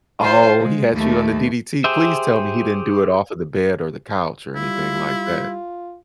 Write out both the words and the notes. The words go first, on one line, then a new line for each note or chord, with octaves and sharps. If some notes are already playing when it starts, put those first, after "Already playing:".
Oh, he had you on the DDT. Please tell me he didn't do it off of the bed or the couch or anything like that.
F4 C5
G#3
D#2 A3
G4 G#4 C5 E5
G3 E4 F4